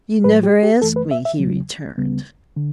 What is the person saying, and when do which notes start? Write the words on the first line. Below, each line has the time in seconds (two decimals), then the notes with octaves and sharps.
"You never asked me," he returned.
0.24 A2 F#3 A3 B4
0.43 G4
0.63 G4
0.82 F#2 E3 A3 A4
0.96 B4
1.11 E5
1.25 E5
1.39 E2 C#3 F#3
1.98 D2 C#3 G3 B3
2.56 D3